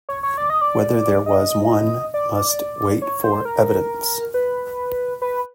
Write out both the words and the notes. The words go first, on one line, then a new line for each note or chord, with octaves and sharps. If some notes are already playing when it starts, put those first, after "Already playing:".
Whether there was one must wait for evidence.
C#5
C#5
D5
D#5
D5
D#5
D5
C#5
C5
A#4
B4
B4